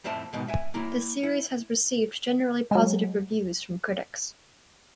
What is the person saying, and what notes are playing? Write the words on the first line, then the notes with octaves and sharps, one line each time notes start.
The series has received generally positive reviews from critics.
F2 A2 C5 E5 A5
G#2 B2 D#3
E5 G#5
A#3 E4 A#4
E4
F#3 G#3